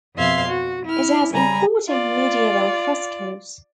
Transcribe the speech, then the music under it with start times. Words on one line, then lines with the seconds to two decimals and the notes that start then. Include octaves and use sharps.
It has important medieval frescoes.
0.16 F2 B2 E5 F5 C6 G#6
0.48 F#4
0.84 E4 F6
1.32 C#3 G3 G#5 A#5 B5
1.89 F4 D5